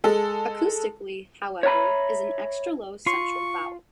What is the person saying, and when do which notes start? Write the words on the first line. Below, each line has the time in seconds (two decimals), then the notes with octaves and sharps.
Acoustically, however, is an extra-low central vowel.
0.04 G#3 A4
1.63 C#5 E5 F5 A#5 B5
3.06 F4 C6 C#6